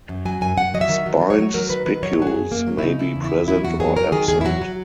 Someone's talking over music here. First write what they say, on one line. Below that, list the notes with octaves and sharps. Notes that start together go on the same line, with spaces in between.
Spined spicules may be present or absent.
F#2
F#3 G#5
F#2 G#5
F#2 F#5
F#3 D#5
E5
D#3
F#3
D#3
C#5
F#3
F#3 A#4
D#3 B4
D#3 B4
F#3 C#5
F#3 F#4
G#4
F#2
F#2 A#3
F#3
E4
C#3 D#4
C#3 E4
E2
E4
E2
F#3 E4
E2 F#4
F#3 G#4
F#3 A#4
D#3 G#4
E2 G#4
E4
F#3 F#4
F#3